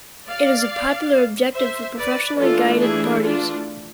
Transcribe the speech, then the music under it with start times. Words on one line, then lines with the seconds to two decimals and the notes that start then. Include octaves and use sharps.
It is a popular objective for professionally guided parties.
0.28 D5 F5
1.54 C5 E5
1.96 B4 D5
2.38 E3 A3 D4 F4 A4
2.81 E4 G#4
3.23 D4 F4